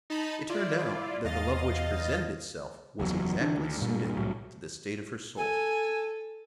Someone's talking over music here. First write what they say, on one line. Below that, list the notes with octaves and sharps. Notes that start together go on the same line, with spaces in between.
It turned out that the love which presented itself was exactly suited to the state of her soul.
D#4 A5 B5
E4 F4 D5
E2 D#5 F5 A6
F#1 E2 G#2 F#3
D3 E3 D4
D2
G2 A#2
C2 A2 F#3
A4 G#5